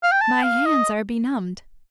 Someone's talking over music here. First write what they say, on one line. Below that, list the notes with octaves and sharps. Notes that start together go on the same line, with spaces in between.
"My hands are benumbed."
F5
G5
A5
F5
D#5